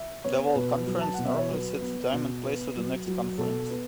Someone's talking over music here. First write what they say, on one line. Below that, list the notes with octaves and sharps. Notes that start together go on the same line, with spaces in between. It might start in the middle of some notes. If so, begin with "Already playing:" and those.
The world conference normally sets the time and place for the next conference.
Already playing: E5
B3 C#5
B2 B4
F#3
A5
B2 F#5
E5
C#5
F#3 B4
B3
B2
B3
F#3
F#3
B2 A4
B3